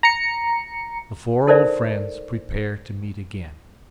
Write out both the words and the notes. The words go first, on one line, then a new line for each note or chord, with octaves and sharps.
The four old Friends prepare to meet again.
A#5 C#7
D#4 A4 A#4 C5 D5 E5